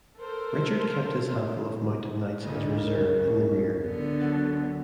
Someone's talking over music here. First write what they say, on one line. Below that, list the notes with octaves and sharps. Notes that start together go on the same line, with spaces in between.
Richard kept his handful of mounted knights as a reserve in the rear.
A4 A#4 C5
C#2 A#2 D3 D#5
C#3 A#4
D3 B3
F#3 F#5 A6